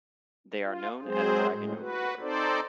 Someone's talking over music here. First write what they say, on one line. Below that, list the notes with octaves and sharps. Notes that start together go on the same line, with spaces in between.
They are known as Dragon Overlords.
F4
F#3 G#3 C4 G#4 C5
A2 G#3
F#4 B4
C4 D#4 A4 C5 D5